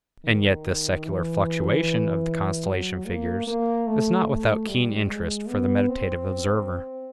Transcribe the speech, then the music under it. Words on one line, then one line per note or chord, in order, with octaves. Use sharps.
And yet this secular fluctuation of the constellation figures is not without keen interest for the meditative observer.
D#3
E3
F#3
A#3
A#3
A3
A3
G3
G#3
B3
C4